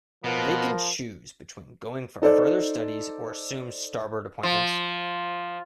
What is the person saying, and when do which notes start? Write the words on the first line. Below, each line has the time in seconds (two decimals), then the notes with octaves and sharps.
They can choose between going for further studies or assume starboard appointments.
0.24 B2 F3 B3 A#4
2.22 D#4 A4 C5 D5
4.43 F3